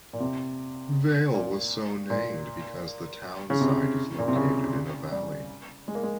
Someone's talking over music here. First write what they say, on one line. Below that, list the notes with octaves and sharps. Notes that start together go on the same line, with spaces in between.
Vale was so-named because the town site is located in a valley.
A#2
C3
A#2
A#2
C#3
C3
A#2
C3
C#3
G3
G#3
A#3
G#3